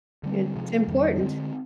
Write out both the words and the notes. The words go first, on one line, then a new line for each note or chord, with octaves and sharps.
It's important
D3 G3 C4
C3 F3 G#3
F2 D#3 G3
D3 G#3 C4